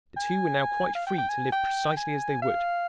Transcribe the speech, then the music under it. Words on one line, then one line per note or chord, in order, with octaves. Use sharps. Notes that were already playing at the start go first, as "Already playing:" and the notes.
The two were now quite free to live precisely as they would.
G#5
F5
G5
G5
G#5
G5
G#5
F5